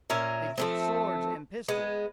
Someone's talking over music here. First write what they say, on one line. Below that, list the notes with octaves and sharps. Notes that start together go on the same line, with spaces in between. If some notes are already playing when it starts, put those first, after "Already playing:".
They took swords and pistols.
A#2 C#4 A#4 E5
F3 A3 C4
G#3 B3